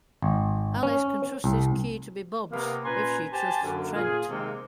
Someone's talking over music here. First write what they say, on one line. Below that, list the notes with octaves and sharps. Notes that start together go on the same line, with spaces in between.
Alice can trust this key to be Bob's if she trusts Trent.
G#1
C#4
C2
C3 A#3 B3
A#2 C#4 B4 G#5 A#5 C6
G4 C5 G#5 A5
F#2 D3 A#3
A#2 F4 G#4
C3 D#3 G#3 A#3 C4